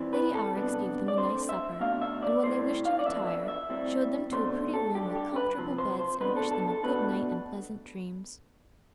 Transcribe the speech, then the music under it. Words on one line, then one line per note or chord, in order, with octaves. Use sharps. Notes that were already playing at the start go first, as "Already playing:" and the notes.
Lady Aurex gave them a nice supper and when they wished to retire showed them to a pretty room with comfortable beds and wished them a good night and pleasant dreams.
Already playing: E3 G3 C4
B4
A4
C3 G3 B3 D4
D5
D3 A3 C4 C5
E5
B2 A3 D4 F5
E5
D5
A2 G3 C4 C5
F5
D5
D3 F3 B3 D4 E5
E5
E5
A2 G3 C4
B2 A3 D4 C5
A4
D3 G3 D4 G4
G4
B4
C3 F3 C4
C5
C5
B2 A3 D4 B4
A4
A4
A4
B2 A3 D4 B4